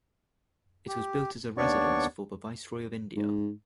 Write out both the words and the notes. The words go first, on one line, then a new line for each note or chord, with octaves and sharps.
It was built as a residence for the Viceroy of India.
G4
D#2 B3 D4 C#5 D5 C#6
G#2